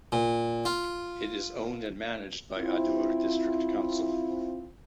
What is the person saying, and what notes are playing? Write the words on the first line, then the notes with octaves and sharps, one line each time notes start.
It is owned and managed by Adur District Council.
A#2
F4
C4 E4 F4